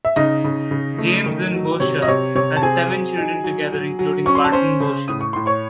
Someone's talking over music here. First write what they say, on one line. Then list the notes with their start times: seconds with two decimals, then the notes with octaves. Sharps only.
James and Boucher had seven children together, including Barton Boucher.
0.05 E5
0.16 C#3 D#4 D#5
0.44 C#3
0.71 C#3
0.98 A3
1.26 D#3
1.54 F#3
1.80 C3 C#5
2.02 D#5
2.08 C3 C#5
2.35 C3 C#5
2.57 A5
2.62 C4 G#4 G#5
2.89 F#3
3.18 D#4
3.44 F#3
3.72 F#3
3.99 F#3
4.26 C#4 C#6
4.35 C6
4.44 A5
4.52 C#4 C5 C6
4.80 C#3
5.08 A2 D#6
5.21 C#6
5.33 A2 C6
5.46 C#5 C#6